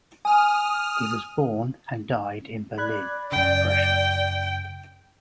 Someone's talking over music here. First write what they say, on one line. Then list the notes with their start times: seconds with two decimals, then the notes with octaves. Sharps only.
He was born and died in Berlin, Prussia.
0.25 G#5 D#6 F6
2.78 D5 B5 F#6 G#6
3.32 F#2 C#3 G5